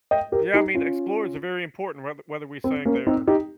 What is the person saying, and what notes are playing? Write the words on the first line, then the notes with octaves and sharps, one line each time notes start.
Yeah, I mean, explorers are very important whether whether we saying they're,
D#5 G5
G4 A#4
D#4 G4
C#4 F4
C4
A#3 C#4
C4 D#4
D#4 G4